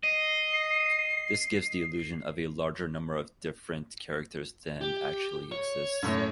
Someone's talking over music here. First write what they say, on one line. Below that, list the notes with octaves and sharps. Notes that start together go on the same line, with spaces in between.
This gives the illusion of a larger number of different characters than actually exist.
D#5 C7
G4
C#5
F#2 A2